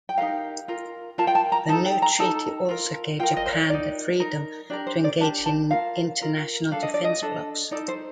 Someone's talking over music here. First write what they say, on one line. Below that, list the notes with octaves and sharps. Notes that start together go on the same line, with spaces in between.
The new treaty also gave Japan the freedom to engage in international defense blocs.
G5
D#4 G4 A#4 F5
F4 A#4
F4 A#4 A5
G5
A5
A#5
D#4 A4 A5
G5
A#5
D#4 A4 A5
F4 A#4
F4 A#4 G5
D#5
C5
D5
D#4 A#4 D5
D#4 A#4
D4 G4 A#4 D5
C5
D5
D4 G4 A#4 A5
A5
F4 A#4 F5
F4 A#4
D4 A4 F5
D#5
D5
D#5
D4 A4
D#4 A4 D5
C5